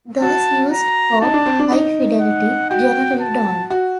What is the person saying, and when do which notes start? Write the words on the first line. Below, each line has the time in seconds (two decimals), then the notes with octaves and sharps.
Those used for high-fidelity generally don't.
0.22 F#4 A5
0.72 A#5
1.21 D#4 A5
1.34 D4
1.46 C4
1.59 D4
1.72 D#4
2.21 F#5
2.71 F#4 G5
3.21 A5
3.70 F#4